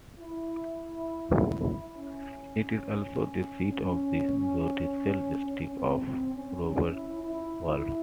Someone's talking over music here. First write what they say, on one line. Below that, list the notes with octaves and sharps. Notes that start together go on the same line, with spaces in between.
It is also the seat of the judicial district of Roberval.
E4
C#4
C#4
C#4
C4
C4
C#4
C#4
E4
E4
E4